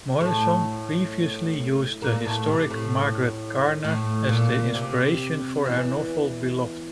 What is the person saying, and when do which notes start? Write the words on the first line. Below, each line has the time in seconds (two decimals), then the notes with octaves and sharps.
Morrison previously used the historic Margaret Garner as the inspiration for her novel "Beloved".
0.21 A2 A3
2.02 A#2 A#3
2.25 A2 A3
2.48 C3
2.71 A2
3.84 A2
4.29 A#2
4.75 C3
5.65 E2 E3